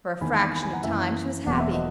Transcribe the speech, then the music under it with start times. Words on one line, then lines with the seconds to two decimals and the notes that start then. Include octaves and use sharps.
For a fraction of time she was happy.
0.21 E2 D#3 A#3 G#5 B5
0.52 G#5 B5
0.63 G#5 B5
0.73 F#5 A#5
0.83 F#2 E3 A#3 E5 G#5
1.46 E1 E2 B2 F#3 A#3 F#5
1.60 E5
1.73 D#5 F#5